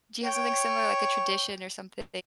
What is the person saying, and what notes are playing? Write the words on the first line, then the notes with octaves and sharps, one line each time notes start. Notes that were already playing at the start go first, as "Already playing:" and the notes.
do you have something similar, like, a tradition or something
C#5 G5